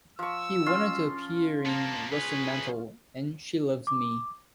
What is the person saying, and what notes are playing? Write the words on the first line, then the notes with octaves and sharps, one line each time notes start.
He went on to appear in "Russet Mantle" and "She Loves Me".
F3 C#6 E6
C#4 F4 C6
A#3 B3 A5
G#4 B4 C#5
D6